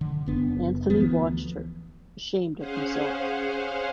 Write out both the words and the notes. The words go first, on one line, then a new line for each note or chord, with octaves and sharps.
Anthony watched her — ashamed of himself.
D3
F#1 B3 D4
D2 E3 F3 B3
C#4 G#4 C5 F5 F#5